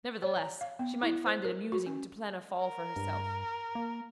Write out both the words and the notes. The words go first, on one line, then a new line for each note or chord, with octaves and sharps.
Nevertheless, she might find it amusing to plan a fall for herself.
C#5
A#5
F5
B3
E4
C5
A#4
F#4
C#4
A#4
G2
A#3